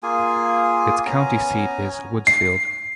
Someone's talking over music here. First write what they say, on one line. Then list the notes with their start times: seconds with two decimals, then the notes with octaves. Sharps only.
Its county seat is Woodsfield.
0.03 A#3 F4 G#4 G#5
1.05 B3 C#4 G#5 A#5
2.27 C7